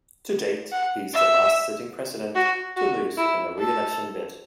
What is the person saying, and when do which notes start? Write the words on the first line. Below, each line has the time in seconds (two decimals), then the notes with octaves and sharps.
To date, he is the last sitting president to lose in a re-election bid.
0.72 F#5
1.13 E5
2.35 F#4
2.76 F#4
3.17 E4
3.58 A4